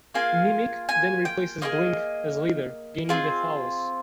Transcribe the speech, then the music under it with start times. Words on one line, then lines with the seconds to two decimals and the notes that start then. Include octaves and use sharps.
Mimic then replaces Blink as leader, gaining the Tallus.
0.14 A#3 F4 G#4 G#5
0.89 G#5
1.25 G5
1.62 A#3 F4 G#4 D#5
3.09 C4 F4 G#4